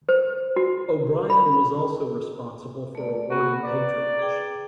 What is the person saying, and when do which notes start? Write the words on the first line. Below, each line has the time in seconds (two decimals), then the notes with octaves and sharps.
O'Brien was also responsible for awarding patronage.
0.09 C5
0.56 F#4
1.30 B5
2.95 A3 D5
3.30 A#3 B3 F#4
3.65 B4 D5 A#5
4.19 G#4 G5